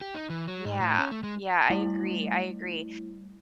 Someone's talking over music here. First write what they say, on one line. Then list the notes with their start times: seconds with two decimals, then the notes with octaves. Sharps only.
Yeah, yeah. I agree, I agree.
0.01 G4
0.14 D#4
0.30 E3
0.47 F#3
0.65 G#2
0.80 A2
0.98 C#4
1.11 A3
1.23 G#3
1.70 G3 A3 E4